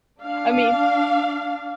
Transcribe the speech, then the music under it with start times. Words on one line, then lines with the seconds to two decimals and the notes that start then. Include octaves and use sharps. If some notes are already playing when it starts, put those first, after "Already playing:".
I mean
0.19 D4 F5